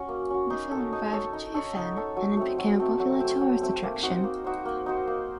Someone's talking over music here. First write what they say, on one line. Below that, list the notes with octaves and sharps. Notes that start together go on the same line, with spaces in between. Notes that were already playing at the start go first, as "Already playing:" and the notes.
The film revived Jiufen, and it became a popular tourist attraction.
Already playing: C#4 F#4
A#3
C#4 F#4
D#4
A4 C#5
D#4
A4 C#5
D#4
A4 C#5
D#4
A4 C#5
F#3
A3 C4
F#3
A3 C4
F#3
A3 C4
F#3
A3 C4
A#3
D#4 F#4 C5
A#3
D#4 F#4 C5
A#3
D#4 F#4 C5
A#3